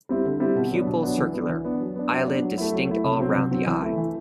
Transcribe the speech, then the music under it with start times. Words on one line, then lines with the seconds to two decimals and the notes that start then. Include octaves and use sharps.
Pupil circular; eyelid distinct all round the eye.
0.09 G3 C4 E4
0.25 D3
0.40 G3 C4 E4
0.56 B2
0.71 F#3 B3 D4
0.87 B2
1.03 F#3 B3 D4
1.18 E3
1.34 B3 D4
1.49 E3
1.65 B3 D4
1.80 F#3
1.96 B3 D4
2.11 F#3
2.27 B3 D4
2.42 F#3
2.58 A3 E4
2.73 F#3
2.90 A3 E4
3.04 C3
3.20 F#3 C4
3.36 C3
3.51 F#3 C4
3.67 E3
3.82 A3 E4
3.98 E3